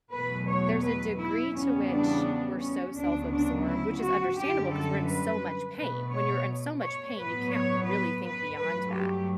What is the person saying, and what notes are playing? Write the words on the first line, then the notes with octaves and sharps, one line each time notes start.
there's a degree to which we're so self-absorbed which is understandable 'cause we're in so much pain. When you're in so much pain, you can't really think beyond that,
E2 B2 F#3 A3 B4
C#5
B4
E4
E2 C#3 G3 B3 C#4
D4
C#4
D2 C#3 F#3 B3 D4
D4
E4
F#4
F#2 D3 G3 G4
A4
B4
B2 A3 B4
C#5
C#5
A2 F#3 B3 B4
C#5
B4
B4
G2 F#3 A3 B4
G4